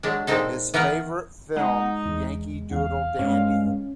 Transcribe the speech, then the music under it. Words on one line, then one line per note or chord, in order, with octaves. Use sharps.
His favorite film, "Yankee Doodle Dandy".
F#3 G#3 D4
A#2 G#3 C4 D#4 A4
E3 B3 A#4 B4 A#5
G#3 D#4 F#5
E2
E2 F5
G2 G#3 C#4